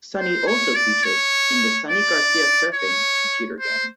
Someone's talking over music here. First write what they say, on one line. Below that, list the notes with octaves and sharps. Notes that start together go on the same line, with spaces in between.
Sunny also features in the 'Sunny Garcia Surfing' computer game.
C5
C#5
D5
C#5
D5
C#5
C5